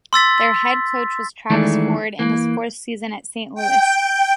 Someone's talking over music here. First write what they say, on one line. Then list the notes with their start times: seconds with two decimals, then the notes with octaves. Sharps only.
Their head coach was Travis Ford in his fourth season at Saint Louis.
0.13 C6 E6 A6 B6
1.50 E2 D#3 E3 G#3 A3 D4
2.19 E3 A#3
3.55 G5